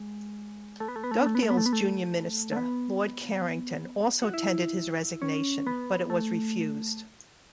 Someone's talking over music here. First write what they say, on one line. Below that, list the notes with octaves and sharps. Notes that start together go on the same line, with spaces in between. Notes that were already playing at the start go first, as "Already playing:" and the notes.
Dugdale's junior minister, Lord Carrington, also tendered his resignation, but it was refused.
Already playing: G#3
A3
B3
A3
B3
A3
B3
A3
B3
A3
B3
A3
B3
A3
A3
B3
F#4
E4
C#4
B3
A3